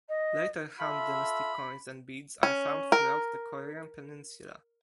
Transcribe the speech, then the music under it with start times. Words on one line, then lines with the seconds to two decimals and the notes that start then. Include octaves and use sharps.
Later Han dynasty coins and beads are found throughout the Korean peninsula.
0.09 D#5
0.79 F4 A4 E5 B5
2.43 C#4
2.92 A#4